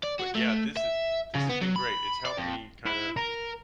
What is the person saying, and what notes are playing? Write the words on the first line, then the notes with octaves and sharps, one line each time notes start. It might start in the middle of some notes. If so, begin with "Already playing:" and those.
but yeah, this has this has been great. It's helped me kinda,
D5
F#4
A3
E5
C#3
B3
F#3
B5
D5
F2
E4
A#4